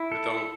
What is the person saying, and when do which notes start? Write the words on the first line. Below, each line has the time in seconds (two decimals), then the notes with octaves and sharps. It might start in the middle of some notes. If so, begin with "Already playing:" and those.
but don
Already playing: E4
0.12 A4